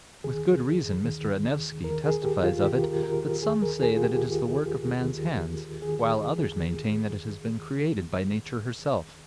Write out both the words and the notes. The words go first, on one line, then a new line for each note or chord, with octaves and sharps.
With good reason Mr. Anaevsky testifies of it that some say that it is the work of man's hands, while others maintain that it has been created by nature herself.
D#2 D#3 G#4
D#2 D#3
D#2 D#3 A#4
G#4
G4
F4
D#2 D#3 G4
A#4
A#4
D#2 D#3 G#4
A#4
G#4
F4
G4
D#2 D#3
D#2 D#3
D#3 G#4